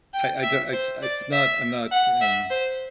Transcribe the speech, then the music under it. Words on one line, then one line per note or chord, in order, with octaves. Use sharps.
I I don't it's it's not I'm not, eh, mm,
G5
E5
C5
D5
E5
F#5
E5
C5